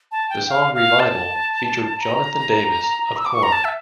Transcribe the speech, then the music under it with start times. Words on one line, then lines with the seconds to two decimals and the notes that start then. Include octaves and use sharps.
The song "Revival" featured Jonathan Davis of Korn.
0.12 A5
0.30 G5
0.49 F5
0.75 F5
1.00 A5
2.00 A#5
3.16 E6
3.25 D6
3.34 C#6
3.43 A#5
3.52 A5
3.65 E5